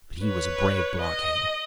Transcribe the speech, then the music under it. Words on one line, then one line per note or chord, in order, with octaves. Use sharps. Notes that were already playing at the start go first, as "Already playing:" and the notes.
But he was a brave blockhead.
B4 C#5
D#5